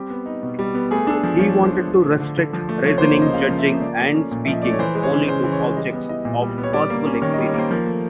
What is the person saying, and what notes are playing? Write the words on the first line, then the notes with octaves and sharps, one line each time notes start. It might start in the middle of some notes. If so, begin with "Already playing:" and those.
He wanted to restrict reasoning, judging, and speaking only to objects of possible experience.
Already playing: G3 C4 G4
B3
D#4
B2
G3
B3
A3 G#4
D4 A4
G#4
F3
F3 C#5
A3
C5
D4
F3
A3
D3
D3
F3
A3
F3 C#5
A#3 C5
C#5
C#3 D#5
C#3 F5
F3
E5
A#3
F3 D5
A3
C#4
A#2
F3 E5
D#5
A3 D5
C#5
E3 C5
G#3
C#5
C#3
C#3 C5
E3
C#5
G#3
G3 D#5
B3 D#5
E4 D#5
A#2
G3
B3
C#5
G3 D5
A#3
C#4
D#3 C#5
G3 D#5
C#5
A#3 C5
F3 A#4
A3